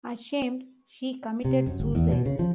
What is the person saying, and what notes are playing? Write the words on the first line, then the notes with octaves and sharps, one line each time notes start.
Ashamed, she committed suicide.
C3
F#2
G1
E2
B2
C#3
F3